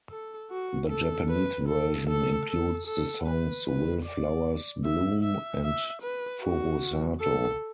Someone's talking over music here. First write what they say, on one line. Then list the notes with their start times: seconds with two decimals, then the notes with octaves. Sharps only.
The Japanese version includes the songs "Will Flowers Bloom" and "Furusato".
0.11 A4
0.50 F#4
0.90 A4
1.29 B4
1.68 A4
2.08 A4
2.48 A4
2.87 A4
3.26 B4
3.66 B4
4.05 D5
4.84 E5
5.23 E5
5.63 E5
6.02 B4
6.42 F#4
7.20 A4